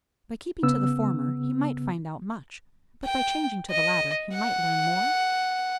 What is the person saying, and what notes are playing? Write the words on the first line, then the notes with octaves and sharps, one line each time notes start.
By keeping to the former, he might find out much; but by changing to the latter he might learn more?
C#3 B3 E6
G5
D#5
F#5